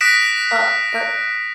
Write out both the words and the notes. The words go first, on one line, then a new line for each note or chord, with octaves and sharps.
Uh, for
D#6 F#6 A#6 B6 D7 E7